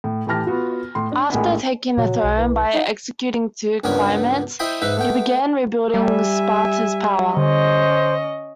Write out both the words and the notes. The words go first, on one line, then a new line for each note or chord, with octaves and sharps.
After taking the throne by executing two claimants, he began rebuilding Sparta's power.
A2
A2 E3 G4 A5 F6 A#6
B3 F4 F#4
A2 C6
D4
A#1 A2 G#3 A#3 F#5 B5
A#2 C#3 F3 F#3
B1
E3
D#4
C#2 G2 G3 B3 A#4 C#5
E4 C5 D#5 G5 B5 C6
G#2 D#4 B4 E5
A3 B3 G5
G3 E5 G#5
D3 C#4 C5 D#5